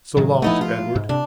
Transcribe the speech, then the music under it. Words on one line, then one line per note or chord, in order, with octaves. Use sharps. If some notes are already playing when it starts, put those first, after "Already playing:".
"So long," to Edward.
A2 D#3 F#3
F3 A3 B3 D#4 E4
F4
G#2
C3 D4